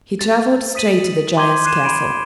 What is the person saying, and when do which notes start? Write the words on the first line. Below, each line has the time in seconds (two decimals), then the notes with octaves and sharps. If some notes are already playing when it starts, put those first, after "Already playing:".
He traveled straight to the giant's castle.
0.19 A6
0.75 D#6 B6 D#7 F#7
1.37 C6 D6 G6 G#6 D#7 G7
1.65 F#6 G#6 C7 D#7 E7
1.84 B5 D7 D#7